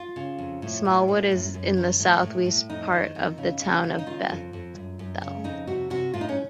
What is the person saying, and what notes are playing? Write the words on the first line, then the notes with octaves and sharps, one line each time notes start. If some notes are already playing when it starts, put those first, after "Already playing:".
Smallwood is in the southeast part of the Town of Bethel.
Already playing: F4
C#3
F2
A2
A2
A2
F#2
F#2
D#3
A2
A2
A2
F2 D#4
D#3
F2
C#3
C#3
C#3
D#4
D#3 F4
F2
F2
F#2
F#2
C#3
F2 D#4
C3 F#4
C3 F#4
A2 F4
D#4
C#4